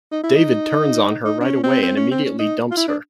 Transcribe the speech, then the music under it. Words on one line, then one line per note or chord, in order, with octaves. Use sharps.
David turns on her right away and immediately dumps her.
D#4
E4
D#4
D#4
D4
C#4
C4
C4
C#4
C4
C#4
D#4
F4
E4
D4